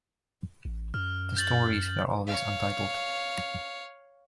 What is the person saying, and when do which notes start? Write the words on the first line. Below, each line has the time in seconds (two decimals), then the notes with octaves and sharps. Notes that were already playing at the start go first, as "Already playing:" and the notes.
The stories were always untitled.
0.65 A1
0.94 F#2 F6
1.37 G6 A6 F#7
2.27 C#5 F5